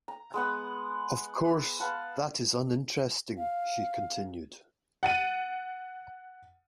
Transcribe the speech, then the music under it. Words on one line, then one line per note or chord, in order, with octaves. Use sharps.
Of course, that is uninteresting, she continued.
A#5
G#3 B3 F#5
B4 F5 F#5 A5
F5
F#5 A6 D#7